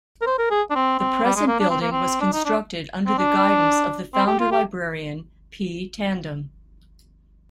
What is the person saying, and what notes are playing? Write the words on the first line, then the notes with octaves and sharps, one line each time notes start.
The present building was constructed under the guidance of the founder librarian P. Tandon.
A#4
C5
A#4
G#4
D4
C4
C4
G3
G#3
A#3
D4
C4
A#3
C4
D4
D#4
D4
C4
D4
C4
G4
F4
G4